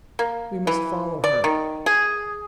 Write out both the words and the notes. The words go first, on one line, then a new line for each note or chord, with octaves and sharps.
"We must follow her."
A#3
E3
D5
D#3
G#4